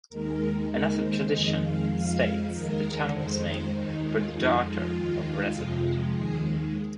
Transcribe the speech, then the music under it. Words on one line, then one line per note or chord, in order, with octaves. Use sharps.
Another tradition states the town was named for the daughter of a resident.
D#2 D#3 G#3 A#4
D#2 D#3 G#3 A#4
C5
F2 D#3 G#3 D#5
F5
F2 F3 G#3 F5
D#2 D#3 G#3 A#4
F2 D#3 G#3 C5
C5
D#2 D#3 G#3 D#4
F4
F2 F3 G#3 D#4
F4
D#2 D#3 G#3
F2 C3 F3 G#3
D#2 D#3 G#3 G#4